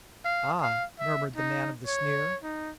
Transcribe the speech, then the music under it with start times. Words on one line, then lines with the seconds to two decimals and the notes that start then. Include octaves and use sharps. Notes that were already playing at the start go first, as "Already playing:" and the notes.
"Ah!" murmured the man of the sneer.
0.25 F5
0.62 F5
0.99 E5
1.36 D#4
1.87 C#5
2.43 D#4